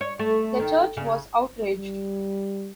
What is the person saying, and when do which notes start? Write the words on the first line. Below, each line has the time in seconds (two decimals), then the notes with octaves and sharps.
The church was outraged.
0.01 C#5
0.19 A3
0.59 D#3
0.97 C#3
1.76 G3